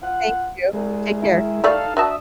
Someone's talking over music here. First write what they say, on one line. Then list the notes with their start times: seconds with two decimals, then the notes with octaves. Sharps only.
Thank you. Take care.
0.01 F4 F#5
0.73 C2 G#3
1.20 D#3 E4
1.64 G3 A3 D#4 A4 D5 F5
1.97 F#3 D4 F#4 E5 A5 D#6